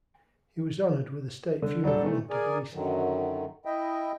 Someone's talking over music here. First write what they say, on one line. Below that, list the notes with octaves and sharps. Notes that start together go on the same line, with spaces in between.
He was honored with a state funeral in Tbilisi.
D3
F#3 G3 D4 A4
D#3 E3 A3
G#4 A#4 D5 G#5
F#2 D3 D#3 F#3
E4 D#5 E5 G5